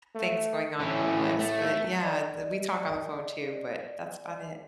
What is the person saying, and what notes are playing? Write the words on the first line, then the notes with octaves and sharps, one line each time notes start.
things going on in our lives, but yeah, the we talk on the phone too, but that's about it.
A3
A2 E3 C#4
A3
D5 D#5